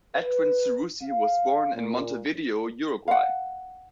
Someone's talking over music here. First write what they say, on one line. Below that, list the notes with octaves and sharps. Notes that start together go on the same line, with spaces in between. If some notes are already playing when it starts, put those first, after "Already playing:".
Edwin Seroussi was born in Montevideo, Uruguay.
B4
F5
A#2
F5 F#5